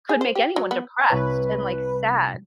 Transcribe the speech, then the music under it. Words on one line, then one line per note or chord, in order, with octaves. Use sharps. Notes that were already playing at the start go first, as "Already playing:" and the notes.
could make anyone depressed, and, like, sad.
G#4
C5
G4
F#3
B3
C2 E4 B4 C#5